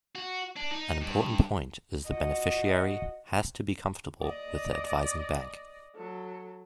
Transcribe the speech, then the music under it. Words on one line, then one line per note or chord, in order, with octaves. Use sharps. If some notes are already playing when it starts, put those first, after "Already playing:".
An important point is the beneficiary has to be comfortable with the advising bank.
F#4
D4
D#4
G2
F#4 D#5
D5 D#5
F#3 A4